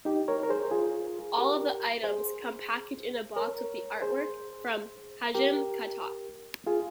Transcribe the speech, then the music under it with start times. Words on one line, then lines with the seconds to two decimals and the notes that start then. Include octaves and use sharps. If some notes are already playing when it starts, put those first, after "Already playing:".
All of the items come packaged in a box with artwork from Hajime Katoki.
0.05 D#4 G4
0.28 A#4 C#5
0.43 A#4
0.49 G#4 C5
0.71 F4 G#4
1.38 G4 A#4
2.03 G#4 C5
3.36 A#4 C#5
4.02 G#4 C5
5.35 G4 A#4
6.66 F4 G#4